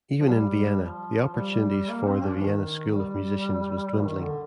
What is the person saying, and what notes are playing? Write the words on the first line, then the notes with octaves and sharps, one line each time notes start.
Even in Vienna, the opportunities for the Vienna School of musicians was dwindling.
F3
G3
F3
G3
A#3
C4
D4
F3
D#3
G3
D#3
D3